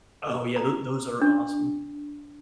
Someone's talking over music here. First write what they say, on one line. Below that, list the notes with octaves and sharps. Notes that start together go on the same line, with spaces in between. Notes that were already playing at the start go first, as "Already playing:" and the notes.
Oh yeah, tho those are awesome.
A#5
D4